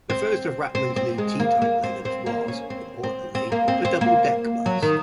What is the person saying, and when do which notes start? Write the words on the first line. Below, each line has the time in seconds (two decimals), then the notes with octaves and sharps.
The first of Rackham's new T-Type Leylands was, importantly, the double-deck bus.
0.10 C4
0.75 C4
0.96 C4
1.18 G#3
1.40 A#3
1.62 A#3
1.84 C4
2.05 C4
2.26 A#3
2.48 C#4
2.70 C4
3.03 C4
3.35 C4
3.52 A#3
3.68 C4
3.85 C4
4.01 A#3
4.66 F#3
4.83 D#3